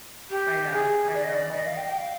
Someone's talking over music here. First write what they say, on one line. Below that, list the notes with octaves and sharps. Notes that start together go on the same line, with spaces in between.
I know, I know, my f
G4
G#4
D5
D#5
D5
D#5
F5
G5
G5
F5